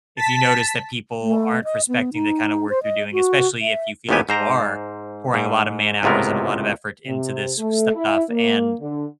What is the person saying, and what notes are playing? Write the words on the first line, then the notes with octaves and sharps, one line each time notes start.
if you notice that people aren't respecting the kind of work you're doing, especially if you feel like you are pouring a lot of man-hours and a lot of effort into this stuff and
A5 B6
A3
D#5
B3
D#4
C5
D#5
F#4
E5
A1 D#2 A#2 B3 G4 G#5
G#2 C5 A#5
G#2
C#2 A2 C3 B3 A#4
C3
A3
E4
A#3
D3